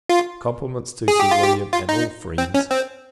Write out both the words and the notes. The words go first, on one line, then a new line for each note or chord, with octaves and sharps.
Compliments to Sir William, and all friends.
F4
G#4
G4
F4
G4
F4
D#4
C4
C#4
C4